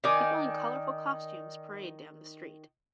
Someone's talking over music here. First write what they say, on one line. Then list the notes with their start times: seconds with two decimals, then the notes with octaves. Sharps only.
People in colorful costumes parade down the street.
0.04 D#3 D#4 D5 G#5